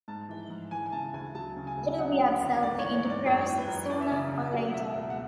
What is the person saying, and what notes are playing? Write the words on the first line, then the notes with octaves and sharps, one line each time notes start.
It'll be absorbed into prose sooner or later.
G#2 A5
E3
G#2
E3 G#5
G#5
C#3 A5
D2 G#5
F#3 A5
C#3
G#5
D2
F#3 F#5
D3
E2
G#2 D5
E3 C#5
C#5
G#2 D5
F#2 C#5
E3
B4
F#2
E3 D5
E5
C#3 D5
E2
F#3 F#5
B2 E5
C#2
F#5